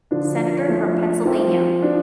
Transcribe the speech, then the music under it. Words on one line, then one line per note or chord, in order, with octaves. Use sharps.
Senator from Pennsylvania.
D3 F3 D4
F3 A3 D4
F3 C4
F3 D4